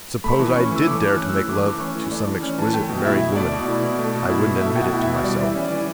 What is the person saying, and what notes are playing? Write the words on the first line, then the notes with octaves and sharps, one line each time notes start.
Suppose I did dare to make love to--some exquisite married woman. I wouldn't admit it to myself.
A3 B5
E3
C#4 C#6
E3 E6
A3 D6
E3
F#6
C#4
E3 E6
A3 D6
E3
C#4 C#6
E3
A3 D5
E3
C#4
E3 A5
A3 G5
B2
E4 E5
B2
A3 D5
B2
E4
B2
A3
B2
E4
B2
A3 E5
B2 G5
F#5
E4
E5
B2
G3 D5
E3
E5
C#4
D5
E3